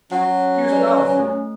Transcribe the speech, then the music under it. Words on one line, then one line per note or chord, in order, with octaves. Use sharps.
Here's a dollar for you.
F#3 C#4 F#5
B4 D5
A3